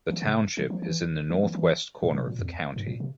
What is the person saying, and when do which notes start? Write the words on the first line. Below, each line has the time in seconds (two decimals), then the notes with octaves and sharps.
The township is in the northwest corner of the county.
0.09 E3
0.22 C#3
0.57 E3
0.70 F3
0.82 E3
1.30 E3
1.43 E3
1.55 E3
2.03 A#2
2.15 C3
2.27 A#2
2.39 F2
2.76 G#2
2.87 A#2
3.00 C3